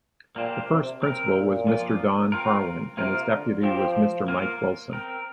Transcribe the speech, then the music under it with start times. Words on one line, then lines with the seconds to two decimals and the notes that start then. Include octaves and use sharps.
The first Principal was Mr. Don Harwin and his Deputy was Mr. Mike Wilson.
0.36 A#2 A#3 D4 G4 C5
0.69 C3
1.02 C4 A#4
1.34 A#2
1.67 F3 A#3 F4
2.32 C4 F4 A#4
2.97 C3 A#3 F4 A#4
3.30 D3
3.62 F3 C4 G4 C5
4.28 A#3 F4 A#4
4.93 C4 A#4